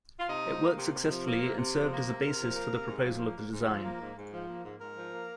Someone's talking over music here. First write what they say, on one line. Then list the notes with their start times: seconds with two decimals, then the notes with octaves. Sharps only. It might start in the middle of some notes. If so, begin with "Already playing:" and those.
It worked successfully and served as a basis for the proposal of the design.
0.20 F4
0.29 C3 D#4
0.46 F3
0.62 A#3
0.78 C3
0.94 C3
1.10 F3
1.26 A#3
1.42 C3
1.58 C3
1.74 F3
1.91 A#3
2.07 C3
2.22 C3 A#4
2.39 F3
2.55 A#3
2.71 C3
2.88 G#2
3.03 F3
3.19 A#3
3.36 G#2
3.52 G#2
3.68 F3
3.84 A#3
4.00 G#2
4.16 G#2
4.32 F3
4.49 A#3
4.65 G#2
4.80 G#2 A#4
4.96 F3
5.13 A#3